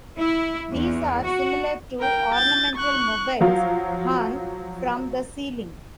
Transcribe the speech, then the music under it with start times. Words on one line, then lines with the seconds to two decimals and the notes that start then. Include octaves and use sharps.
These are similar to ornamental mobiles hung from the ceiling.
0.17 E4
0.71 E2
1.23 F#4
1.99 A#4 G5
2.34 G6 A6
2.76 C#6 F#6
3.40 F3 F#3 F5